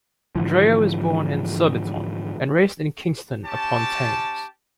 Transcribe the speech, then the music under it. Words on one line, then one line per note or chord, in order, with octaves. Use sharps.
Dreja was born in Surbiton, and raised in Kingston upon Thames.
G#2 D3 E3 F3
C#4 G4 A5